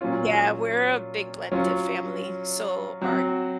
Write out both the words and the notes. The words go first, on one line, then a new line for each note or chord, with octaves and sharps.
Yeah, we're a big blended family. So our
A#2 F#3 C#4 F4
F#3 C#4 F4
F#3 C4 F#4